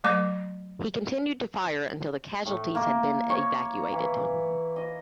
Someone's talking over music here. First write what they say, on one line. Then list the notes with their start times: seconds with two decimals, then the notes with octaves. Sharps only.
He continued to fire until the casualties had been evacuated.
0.04 F#3 A3 D6
2.46 A2
2.75 A#3
3.30 C#5
3.92 E3
4.76 D#5